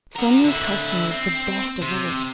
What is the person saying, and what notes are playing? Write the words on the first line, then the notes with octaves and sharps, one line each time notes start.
Sonya's costume was the best of all.
F#4 A#4
D3 E4
C4
C3